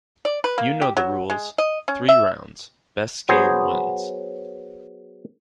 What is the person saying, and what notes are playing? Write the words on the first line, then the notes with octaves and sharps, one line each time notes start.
You know the rules, three rounds, best skill wins.
D5
B4
A#3
G4
F#3
G#3
D#5
C#4
E5
F#3 B3 G#4 C5